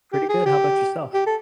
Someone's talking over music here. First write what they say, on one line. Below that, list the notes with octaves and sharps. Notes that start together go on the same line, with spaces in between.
Pretty good, how ‘bout yourself?
G4
G#4
G4
G4
A4